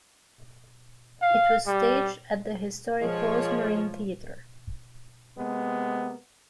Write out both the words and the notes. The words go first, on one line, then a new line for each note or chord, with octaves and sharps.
It was staged at the historic Rose Marine Theater.
F5
G3
F3 G#3 C#5
C3 G#3 A#3 B3